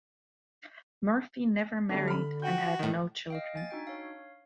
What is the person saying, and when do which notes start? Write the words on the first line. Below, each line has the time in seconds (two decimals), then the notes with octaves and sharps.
Murphy never married and had no children.
1.89 D3 G3 A3 D4
2.08 B5 F6
2.42 F#4 G5 G6
2.64 E3
2.79 A2 D#3
3.30 D#5 F5 G5
3.56 G#5 A6
3.70 D4 D#4 F#4 G5
3.87 C#5 F5